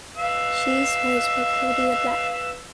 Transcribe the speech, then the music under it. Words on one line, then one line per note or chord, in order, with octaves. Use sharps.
She is voiced by Claudia Black.
B4 F5 E6